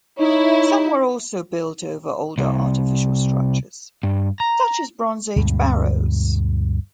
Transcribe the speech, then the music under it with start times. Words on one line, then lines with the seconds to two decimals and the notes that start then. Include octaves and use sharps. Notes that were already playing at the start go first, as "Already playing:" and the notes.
Some were also built over older artificial structures, such as Bronze Age barrows.
0.19 D#4 E4 C#5
2.38 C2
4.03 G2
4.40 A#5
5.36 D2 G2 B2 G#3